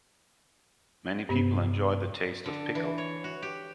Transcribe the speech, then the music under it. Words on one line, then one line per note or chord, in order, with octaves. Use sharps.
Many people enjoy the taste of pickle.
G2 C3 B3
D3
E3
C#5
F#4
G4